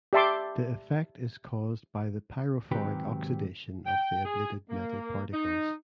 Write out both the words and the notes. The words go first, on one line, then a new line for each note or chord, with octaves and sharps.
The effect is caused by the pyrophoric oxidation of the ablated metal particles.
G4 D5 E5 A5 C6 D6
G#2 C3 D#3 F#3 G4 B4
G5
G#4
A#3
D#4